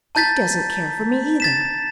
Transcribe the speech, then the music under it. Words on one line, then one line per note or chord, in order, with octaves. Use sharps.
And he doesn't care for me either.
A5 A#5 G6 A6 B6
A6 B6 E7